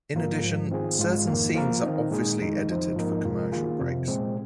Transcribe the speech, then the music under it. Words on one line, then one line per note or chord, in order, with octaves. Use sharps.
In addition, certain scenes are obviously edited for commercial breaks.
G#2 F3 A#3 F4 A#4
G#2 F3 G#3
D#3 C4 F4 G#4
G#2 G#3 F4
F2 D#3 A#3
F3 A#3 F4 A#4
D#3 C4 D#4
A#2 G#3 D#4 G#4
F2 D#3 G#3 D#4
F2 F3 C4 D#4 C5
G#2 F3 A#3 D#4 A#4
F2 C3 G#3 F4 A#4
D#3 A#3 F4 G#4
F2 C3 F3
A#2 G#3 C4